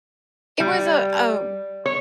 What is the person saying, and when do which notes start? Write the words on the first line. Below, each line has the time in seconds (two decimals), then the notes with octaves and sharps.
It was a a
0.60 G3
1.86 C#5